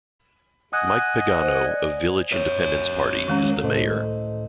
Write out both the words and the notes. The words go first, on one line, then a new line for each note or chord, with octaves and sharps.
Mike Pagano of Village Independence Party is the mayor.
D#5 F#5 G#5 D#6 F#6
C5
D5
A#4 C#5
D#3 G#3 C#4
C#2 A2 A4 C5 D#5